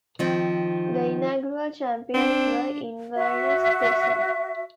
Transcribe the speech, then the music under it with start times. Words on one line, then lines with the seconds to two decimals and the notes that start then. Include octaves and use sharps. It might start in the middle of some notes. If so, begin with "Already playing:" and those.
The inaugural champions were Inverness Thistle.
0.19 D#3 F3 C4
2.14 C4 D4
3.15 F#4 E5